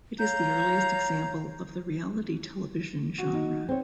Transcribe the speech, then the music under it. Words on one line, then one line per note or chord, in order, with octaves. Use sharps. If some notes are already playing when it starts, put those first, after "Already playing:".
It is the earliest example of the reality television genre.
C#5 F5 A#5 G6
F#4
D#4
C4 C#5